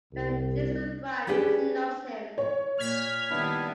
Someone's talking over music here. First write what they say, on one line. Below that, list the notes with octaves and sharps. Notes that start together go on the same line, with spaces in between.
When she's with Brian she loves him.
C2
C#4 D4 G4 G#4 B4
C#5
A#2 F6 G#6 B6
D#3 G3 B3 D4 E4